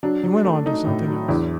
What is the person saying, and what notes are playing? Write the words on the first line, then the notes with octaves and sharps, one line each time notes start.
He went on to something else.
F#3 D4
F#3
A3
A3 D#4
A2
F#3
E2 D4 E4